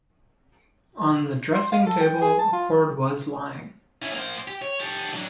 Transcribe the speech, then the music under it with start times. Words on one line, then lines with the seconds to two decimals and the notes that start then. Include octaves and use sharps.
On the dressing-table a cord was lying.
1.55 C6
1.72 F5
1.86 A4
2.01 G5
2.21 G#4
2.39 A5
2.53 F4
4.02 C#4 E4
4.14 A#3 C5
4.47 G4
4.62 C#5
4.80 G4 A4
5.14 F#3 D4